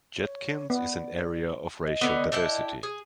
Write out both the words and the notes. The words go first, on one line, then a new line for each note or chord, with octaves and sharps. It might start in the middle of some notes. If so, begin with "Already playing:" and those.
Judkins is an area of racial diversity.
C#5
B3 D5
D#5
D3 B3
D4 E4 G5
G#4